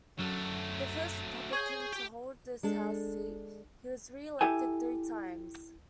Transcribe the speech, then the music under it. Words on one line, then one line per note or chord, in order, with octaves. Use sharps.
The first Republican to hold this House seat, he was re-elected three times.
F#2 F#3 A3
G#4 C#5 G#5 G6
G4 G5
G#3 D4 A4
E4 G4 A4 G#5